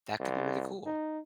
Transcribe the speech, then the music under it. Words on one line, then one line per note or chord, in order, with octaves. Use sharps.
that could be really cool.
C2
D#4